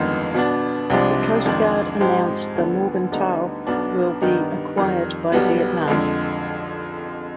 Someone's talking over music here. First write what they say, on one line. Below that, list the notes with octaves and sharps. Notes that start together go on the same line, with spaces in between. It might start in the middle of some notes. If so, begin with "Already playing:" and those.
The Coast Guard announced the Morgenthau will be acquired by Vietnam.
Already playing: G1 F2 D#3 G#3 B3
B2 B3 D4
C2 C3 F3 G#3 D4
F2 D#3 G#3 D4
G#2 F3 G#3 C4 G4
D2 D3 F3 B3
D2 D3 G3 B3 D#4
B1 B2 B3 D4
G2 D#3 B3 D#4 G4
F2 D#3 G3
B1 B2 G3 B3
F2 D3 G#3